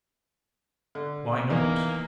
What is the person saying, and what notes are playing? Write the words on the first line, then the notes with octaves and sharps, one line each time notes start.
"Why not?"
D3
E2 E3 A#3 D#4